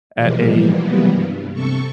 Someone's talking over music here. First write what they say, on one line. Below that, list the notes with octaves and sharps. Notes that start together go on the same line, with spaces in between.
at a,
B2 E3 F3 G3 G#3 A#3
C3 E3 F#3 G3 A#3 B3
G2
C3 A4 C#6